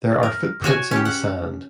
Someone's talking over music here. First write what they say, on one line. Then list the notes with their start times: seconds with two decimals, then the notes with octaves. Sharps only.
There are footprints in the sand.
0.23 A#4
0.64 F#4 C#5 G#5
0.91 C#4 G4
1.05 F#5